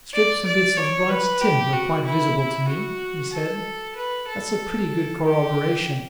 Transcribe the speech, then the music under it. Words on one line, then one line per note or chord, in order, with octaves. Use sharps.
"Strips and bits of bright tin were quite visible to me," he said. "That's a pretty good corroboration."
D5
D5
C#5
B4
G4
F#4
E4
F#4
A4
B4
A4
G4